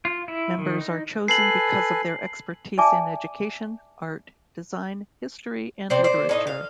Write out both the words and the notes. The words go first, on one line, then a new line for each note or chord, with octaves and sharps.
Members are chosen because of their expertise in education, art, design, history, and literature.
F4
E4
D#3
D#4
A4 B4 G#5 C7 F#7
D5 E5 G#5 A5 D6
C3 C4 C5 D5
C5 D5
A2 D#4 D#5
F5